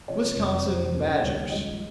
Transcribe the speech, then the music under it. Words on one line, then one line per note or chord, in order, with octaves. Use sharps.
Wisconsin, badgers.
C3 F3 C4 C#5
F2 C3 G3 C4
F2 C3 G3 C4 C5
D#2 C#3 G3 C#4
D#2 C#3 G3 C#4 C#5
G2 F3 G#3 D#5